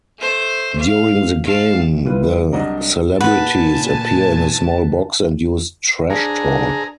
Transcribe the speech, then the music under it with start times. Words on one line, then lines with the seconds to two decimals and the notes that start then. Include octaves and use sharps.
During the game, the celebrities appear in a small box and use trash-talk.
0.19 A3 C5
0.79 F5
1.45 F5 A5
2.06 G3 E4 F4 B4
2.52 C2 F#3 D4 D#5 F#5 A#5
3.21 A#2 B4 F#5 G#5 A5
6.10 D4 G#4 A#5